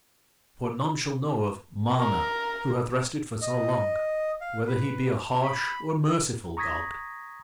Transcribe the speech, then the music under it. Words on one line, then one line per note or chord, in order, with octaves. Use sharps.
For none shall know of MANA who hath rested for so long, whether he be a harsh or merciful god.
A#4
D#5
F5
B4
B5
A#5 C#6 D#6 G#6 A#6 B6